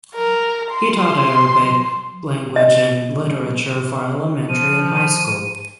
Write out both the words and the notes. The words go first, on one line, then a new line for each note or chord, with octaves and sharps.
He taught Arabic language and literature for elementary and high school.
A#4
C6
D#5
F3 D#7